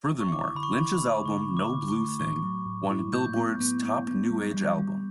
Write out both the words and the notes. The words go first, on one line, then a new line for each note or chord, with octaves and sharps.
Furthermore, Lynch's album "No Blue Thing" won Billboard's "Top New Age Album".
C#6
E4 D6
D3 B5
C#6
E4
B5
A3
D3 C#6
D3
D6
D3
C#6
A3
A2 C#6
F#3
A2
E4
A2 G6
B3
B3
B3
B3
G3
G3
G3